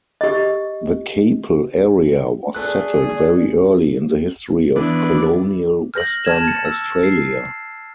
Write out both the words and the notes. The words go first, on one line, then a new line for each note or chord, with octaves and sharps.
The Capel area was settled very early in the history of colonial Western Australia.
G4 D#5
A3 G#4 D5 F#6
E3 B3 D4
F6 G6 A#6 F#7
A5 F6 G#6 E7
A6 C#7
E6
C7